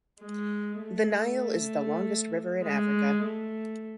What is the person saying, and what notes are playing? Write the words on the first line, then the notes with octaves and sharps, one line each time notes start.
The Nile is the longest river in Africa.
G#3
A3
G#3
A3